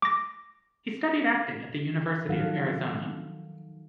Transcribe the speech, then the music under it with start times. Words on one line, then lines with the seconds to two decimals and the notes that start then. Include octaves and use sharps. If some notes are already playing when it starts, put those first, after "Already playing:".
He studied acting at the University of Arizona.
0.02 D6 A#6
2.29 D#3 F3 F#3 A4 F5 F#5